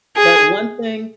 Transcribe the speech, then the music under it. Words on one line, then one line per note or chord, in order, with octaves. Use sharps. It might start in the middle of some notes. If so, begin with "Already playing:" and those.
But one thing
G#4